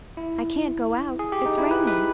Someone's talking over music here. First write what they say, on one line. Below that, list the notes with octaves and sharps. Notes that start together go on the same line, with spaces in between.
I can't go out, it's raining.
E4
G#4
G4
D#4
E4
B4
B4